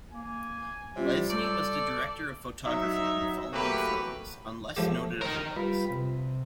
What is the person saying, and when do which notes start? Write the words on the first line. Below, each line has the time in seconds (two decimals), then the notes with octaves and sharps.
Lesnie was the director of photography on the following films, unless noted otherwise.
0.13 A#3 G#5
0.96 C3 G3 C#4 F4 C#5
1.30 A4 D5 C#6 G6 A6
2.65 F#3 D#4 E5
3.53 F#3 A3 A#3 F#4 G4 B4
4.77 F3 A3 G4
5.21 D#4 A#4
5.56 G3 F4 B4 B5
5.90 C3